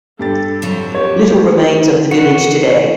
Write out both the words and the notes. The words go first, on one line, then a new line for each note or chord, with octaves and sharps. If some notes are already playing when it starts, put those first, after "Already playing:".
Little remains of the village today.
G2 G4 A4 A6
F2 F3 F#3
A#3 G4 C#5
D#4
E3 F#4 C#7